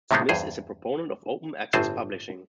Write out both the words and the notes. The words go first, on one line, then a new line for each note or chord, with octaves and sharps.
Smith is a proponent of open access publishing.
A2 C3 D#3 G#3 B3 C4
E2 G2 G#4 C5
G1 A2 C4 G#4 C5 A5